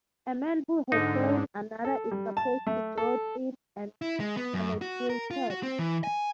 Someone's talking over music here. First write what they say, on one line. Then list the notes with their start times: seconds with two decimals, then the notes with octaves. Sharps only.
A man who has slain another is supposed to grow thin and emaciated.
0.92 G#2 D3 D#4
1.85 A4
2.12 G3
2.37 A5
2.67 A3
2.98 A4
4.02 E4
4.20 G#3
4.37 B3
4.54 F#2
4.82 F#4
5.10 A#4
5.31 F4
5.50 F#4
5.63 C4
5.79 E3
6.04 G#5